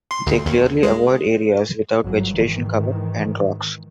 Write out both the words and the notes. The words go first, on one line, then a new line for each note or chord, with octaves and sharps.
They clearly avoid areas without vegetation cover and rocks.
C6
D2
D#2
G#3
G1 G#2 F#3
G#2 D#3 E3